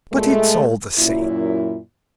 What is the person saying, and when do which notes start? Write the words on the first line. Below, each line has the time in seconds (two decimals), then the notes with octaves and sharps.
But it's all the same.
0.13 A#2 G#3 A3
0.98 F#2 A#2 E4